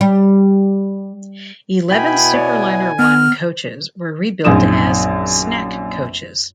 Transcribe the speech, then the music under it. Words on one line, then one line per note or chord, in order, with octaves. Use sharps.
Eleven Superliner I coaches were rebuilt as "snack coaches".
G3
B2 B3 E4 G5 G#5 B5
C#5 D5 G#5
B3 F6
A#1 F#2 D#3 C4 D#6 E7